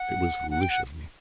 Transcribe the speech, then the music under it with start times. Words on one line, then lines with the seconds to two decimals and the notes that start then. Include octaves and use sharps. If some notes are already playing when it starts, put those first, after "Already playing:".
It was foolish of me.
Already playing: F#5
0.51 F#5
0.61 G5
0.70 F#5